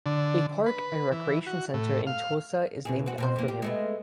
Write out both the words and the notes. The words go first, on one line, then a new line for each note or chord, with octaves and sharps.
A park and recreation center in Tulsa is named after him.
D3
B4
E3
F#4
A2
F5
E2 B2 G#4
C4 F#4
B2 C4 C5
F2 A#3
G4
G#3 A3 B3